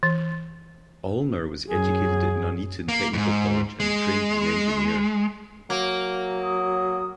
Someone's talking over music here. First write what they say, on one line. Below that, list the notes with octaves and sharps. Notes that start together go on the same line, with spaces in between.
Olner was educated at Nuneaton Technical College and trained as an engineer.
E3
F#2 G#4
A#3
F2 G#2
G#3
F#3 A#3
D#6